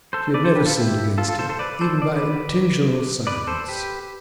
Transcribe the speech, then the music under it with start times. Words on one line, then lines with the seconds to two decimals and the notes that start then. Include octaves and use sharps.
She had never sinned against him, even by intentional silence.
0.13 A4 C5
0.34 B4 D5
0.44 A4 C5
0.55 G4 B4
0.65 F4 A4
0.76 E4 G4
1.18 F4 A4
1.28 F4 A4
1.39 A4 C5
1.49 A4 C5
1.59 B4 D5
1.81 A4 C5
2.02 D5
2.16 B4 D5
3.27 B4 D5
3.47 A4 C5
3.68 G4 B4